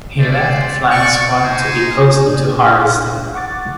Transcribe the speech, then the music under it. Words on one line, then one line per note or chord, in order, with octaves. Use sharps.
He left the Flying Squad to be posted to Harlesden.
G#3 A3 C5 D5
D5 C#6
D#4 C5 G#5
A#2 D4
F#5 C#6 D6 A6